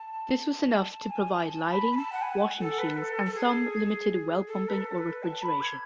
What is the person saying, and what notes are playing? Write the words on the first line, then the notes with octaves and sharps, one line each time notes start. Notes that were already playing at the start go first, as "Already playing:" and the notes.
This was enough to provide lighting, washing machines and some limited well-pumping or refrigeration.
Already playing: A5
A5
G#5
A5
B5
B5
A5
F#5
G#5
F#5
A4
B4
A4
A4
G#4
A4
B4
A4
B4
A5
B5
G#6